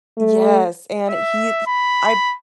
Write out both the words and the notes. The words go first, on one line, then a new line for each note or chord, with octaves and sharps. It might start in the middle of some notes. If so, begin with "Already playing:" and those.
Y yes, and he h I
A3
E5
B5